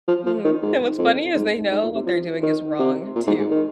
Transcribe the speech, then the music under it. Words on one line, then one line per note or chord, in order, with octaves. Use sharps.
Mhm. And what's funny is they know what they're doing is wrong too.
F3
F3
D#3
G#2
F2
G#2
G#2
A#2
C3
F3
D#3
C3
A#2
G#2
G#2
D#3